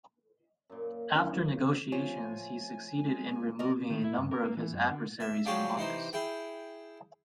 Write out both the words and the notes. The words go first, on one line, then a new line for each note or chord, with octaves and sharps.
After negotiations he succeeded in removing a number of his adversaries from office.
F#2 A#2
C#4 D4 E4
C#3
F3 A3 C#5 G#5
G#3
B3 A#4 D5 D#5
D#3
E4
G2
A#4
A#3
E3
F#2
D3
E5
F3 F#3 D4 G4 G#4 C#5
C3 E3 D#4 C5
E4 G#4 G5